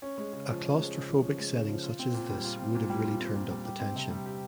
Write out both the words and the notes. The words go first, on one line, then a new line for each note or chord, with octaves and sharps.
A claustrophobic setting such as this would’ve really turned up the tension.
C#4
G#3
C#3
F3
C#4
G#3
C#3
F3
C#4
G#3
C#3
F3
F4
C4
A#2
G3
F4
C4
A#2
G3
F4
C4
A#2
G3
G4
C4
C3
G3
G4